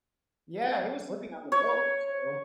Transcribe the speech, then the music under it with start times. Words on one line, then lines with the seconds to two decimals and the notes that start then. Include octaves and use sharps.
Yeah, he was living on the boat, so.
1.52 C#5